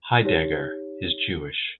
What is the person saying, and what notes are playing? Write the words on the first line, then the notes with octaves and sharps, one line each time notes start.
Heidegger is Jewish.
D#4 G4 C#5